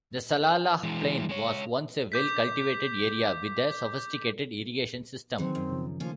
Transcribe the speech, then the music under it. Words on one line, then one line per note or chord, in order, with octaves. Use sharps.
The Salalah plain was once a well cultivated area with a sophisticated irrigation system.
E3 G#3
G#3 C#5
D6 G6 B6
D#3 E3 F#3 C4 G#4
F#2
C#3 F3
D#3 F3 A3 A#3 C#4 F4